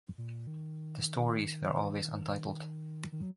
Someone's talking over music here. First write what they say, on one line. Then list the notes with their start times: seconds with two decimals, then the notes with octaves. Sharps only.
The stories were always untitled.
0.18 A#2
0.47 D#3
3.12 D#3
3.22 F#3